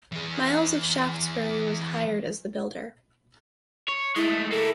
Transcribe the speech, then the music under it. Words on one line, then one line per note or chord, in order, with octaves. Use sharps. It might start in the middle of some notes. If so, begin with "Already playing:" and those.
Miles of Shaftesbury was hired as the builder.
E3 G#4
C#5
G#3 A3 E4
A#3 E4 A4